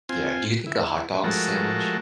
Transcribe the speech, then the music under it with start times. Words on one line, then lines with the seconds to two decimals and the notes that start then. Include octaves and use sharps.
Yeah, do you think a hot dog is a sandwich?
0.09 C4 F4 G#5
0.66 E4
1.24 F3 G#3 A3 F#4 A4 A#4